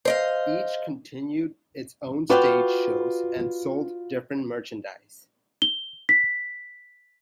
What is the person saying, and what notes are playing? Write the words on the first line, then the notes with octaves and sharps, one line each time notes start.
Each continued its own stage shows and sold different merchandise.
C5 D#5 F5
F4 F#4 B4 D5 F5 G5
G7
B6